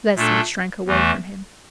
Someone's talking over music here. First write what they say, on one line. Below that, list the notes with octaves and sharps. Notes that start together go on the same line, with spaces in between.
Leslie shrank away from him.
A#2 A3 D4 A4
E2 E3 A3